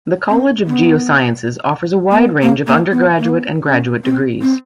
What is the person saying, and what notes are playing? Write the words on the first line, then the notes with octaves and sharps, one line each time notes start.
The College of Geosciences offers a wide range of undergraduate and graduate degrees.
C4
B3
A#3
B3
A#3
A#3
B3
A#3
B3
C#4
C4
C4